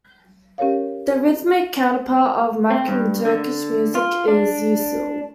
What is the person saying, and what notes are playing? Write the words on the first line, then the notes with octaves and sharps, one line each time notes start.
The rhythmic counterpart of makam in Turkish music is usul.
C#4 G4 A#4 C#5 F5
C4
G2
D3
F4
D4